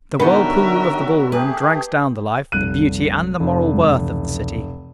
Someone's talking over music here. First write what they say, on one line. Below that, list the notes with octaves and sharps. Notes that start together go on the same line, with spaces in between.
The whirlpool of the ball-room drags down the life, the beauty, and the moral worth of the city.
D3 F#3 G3 B3 D#4 F#4 A#4 E5
A3 G4 G#4 B4
F1 A#1 G3 F#6 D#7
F1
F#2 F#3 G#3
C#2 B2 E3